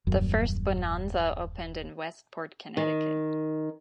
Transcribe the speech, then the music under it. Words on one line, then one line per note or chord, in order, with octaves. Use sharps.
The first Bonanza opened in Westport, Connecticut.
D#1 F#2
D#3